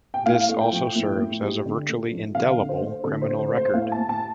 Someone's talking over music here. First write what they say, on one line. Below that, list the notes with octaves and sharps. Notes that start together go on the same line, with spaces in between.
This also serves as a virtually indelible criminal record.
G5
A2 F5
A3
G5
F3
A2
A2
G3
D3
A3
F3
D3 F5
D3
C5
A3
D3 A4
C5
D3
C5
A3
C5
A2 F5
A5
A2
A5